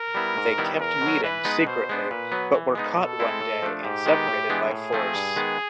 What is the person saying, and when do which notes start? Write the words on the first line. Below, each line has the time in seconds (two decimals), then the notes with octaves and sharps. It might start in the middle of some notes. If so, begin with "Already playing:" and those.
They kept meeting secretly but were caught one day and separated by force.
Already playing: A#4
0.15 G3 B3 E4
0.37 G#2
0.58 D#3 G3 B3 E4
0.80 E2 A#4
1.01 B2 F#3
1.23 E3 B4
1.45 G#3 B3 D#4
1.67 B2 C5
1.89 G#3 B3 D4
2.11 A#2 B4
2.32 F#3 B3
2.55 E3
2.75 G#3 B3 D#4
2.98 B2 A4
3.20 G#3 C4 E4
3.41 A2
3.62 F3 A3 D4
3.84 G#2 G4
4.06 D#3 G#3 B3 D#4
4.27 A2
4.50 E3 G#3 B3 D4
4.71 A2 G#4
4.93 F3 A3 C4
5.15 G2
5.36 D#3 G#3 B3